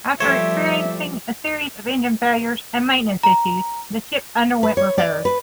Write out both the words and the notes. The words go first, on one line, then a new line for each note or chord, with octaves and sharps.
After experiencing a series of engine failures and maintenance issues, the ship underwent repairs.
F3 G3 A3 G4 C5 C#5 E5
A#5
B4
C#5
D5
B4